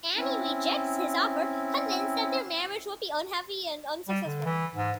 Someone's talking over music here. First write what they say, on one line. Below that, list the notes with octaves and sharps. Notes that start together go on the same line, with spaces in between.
Anne rejects his offer, convinced that their marriage would be unhappy and unsuccessful.
C4 C#4 E4
G3
D3
E3
G#2